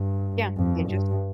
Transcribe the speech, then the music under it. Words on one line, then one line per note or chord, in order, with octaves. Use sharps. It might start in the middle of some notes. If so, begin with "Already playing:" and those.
Yeah, they just
Already playing: G2
F2
G2